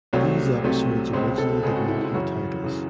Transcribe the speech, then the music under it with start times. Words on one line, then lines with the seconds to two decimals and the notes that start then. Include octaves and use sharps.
These episodes originally did not have titles.
0.13 C2 C3 F#3 A3 C4 C#5
0.64 C2 C3 F#3 A3 C4
1.13 C#2 C#3 G#3 C4 C5
1.38 A4
1.63 C#2 C#3 G#3 C4 G#4
1.76 F#4
1.88 E4
2.01 E4
2.14 F#2 C#3 E3 F#4
2.64 C#3 E3